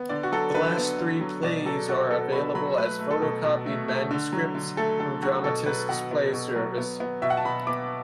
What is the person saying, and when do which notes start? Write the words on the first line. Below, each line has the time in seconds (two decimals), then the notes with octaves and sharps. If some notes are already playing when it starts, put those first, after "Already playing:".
The last three plays are available as photocopied manuscripts from Dramatists Play Service.
Already playing: B3
0.09 D3 D5
0.23 F#4
0.32 F#3 A4
0.55 D3 B4
0.77 B3
0.98 D3
1.21 F#3
1.43 B2 D5
1.65 F#3 A4
1.88 B2 F#4
2.10 B3 A4
2.32 B2 B5
2.55 F#3 B5
2.78 A3 B4
2.99 A3
3.11 A4
3.22 B2
3.44 B2
3.66 A3
3.88 A3
4.11 D3
4.33 F#3
4.55 D3
4.77 A3 A4
5.00 D3 A4
5.23 F#3 F#4
5.44 B2 A4
5.66 F#3 B4
5.89 B2 F#5
6.11 B3
6.34 B2
6.56 F#3
6.78 B3
7.00 B3
7.22 B2 E5
7.30 F#5
7.37 A5
7.45 B2 B5
7.67 B3 D6